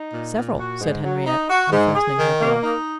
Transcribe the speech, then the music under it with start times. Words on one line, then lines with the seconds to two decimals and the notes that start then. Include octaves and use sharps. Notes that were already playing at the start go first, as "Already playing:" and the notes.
"Several," said Henriette, unfastening her glove.
Already playing: D#4
0.13 A#2
0.36 A#2
0.58 F#4
0.81 G#2
1.04 F#3
1.26 D#4
1.50 F#4
1.72 G#2
1.95 G#4
2.18 D#3
2.40 A#3
2.63 D#4